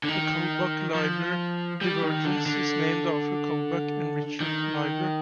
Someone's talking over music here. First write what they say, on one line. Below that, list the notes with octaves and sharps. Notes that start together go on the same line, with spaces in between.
The Kullback-Leibler divergence is named after Kullback and Richard Leibler.
D3
D#3
F3
G3
D#3
D3
D3
D#3